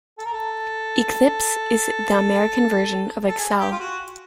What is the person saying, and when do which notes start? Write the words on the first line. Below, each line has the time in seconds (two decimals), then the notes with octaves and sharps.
Eclipse is the American version of Excel.
0.18 A4
0.25 A#4
0.33 A4
3.27 A4
3.38 G#4
3.58 G4
3.72 F4
3.79 F#4